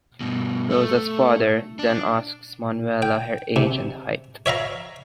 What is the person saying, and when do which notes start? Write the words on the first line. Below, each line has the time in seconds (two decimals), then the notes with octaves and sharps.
Rosa's father then asks Manuela her age and height.
0.21 G2 B2
0.70 A3
1.79 D4
3.02 G5
3.56 C3
4.46 C#5 E5 F5 A#5